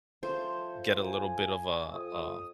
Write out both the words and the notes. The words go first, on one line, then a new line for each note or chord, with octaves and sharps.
get a little bit of, uh uh
F3 C#4 A4 C5 E5
G#5
F2 D#6